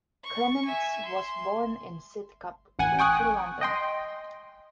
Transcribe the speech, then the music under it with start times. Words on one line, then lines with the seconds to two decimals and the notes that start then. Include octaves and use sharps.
Clements was born in Sidcup, Greater London.
0.23 C#6
0.65 E5 G#5
1.06 C6
2.79 A1 F#5 G#5
2.99 G5 G#5 C#6 D#6 F#6
3.61 D#5 G5 C6